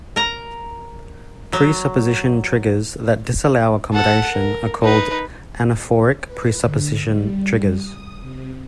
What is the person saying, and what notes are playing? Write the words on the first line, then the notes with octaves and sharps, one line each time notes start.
Presupposition triggers that disallow accommodation are called anaphoric presupposition triggers.
A#4 A#5
F#3
A4 F#5
A#4
D#4 B4
B4
D3
G3
D#6
C3